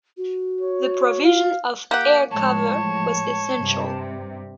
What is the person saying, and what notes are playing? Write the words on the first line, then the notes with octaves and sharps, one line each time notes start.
The provision of air cover was essential.
F#4
C#5
F5
A#3 G4 F#5
A2 F3 G#3 C#5 A5
G2 C3